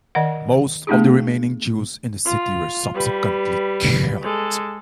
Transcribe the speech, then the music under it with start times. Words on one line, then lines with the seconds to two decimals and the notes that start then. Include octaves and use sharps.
Most of the remaining Jews in the city were subsequently killed.
0.15 D#3 D5 D#5 F#5
0.87 A3 B3 D4 E4 G4 G#4
2.25 F4
2.94 G3 B4
4.23 G#3 A4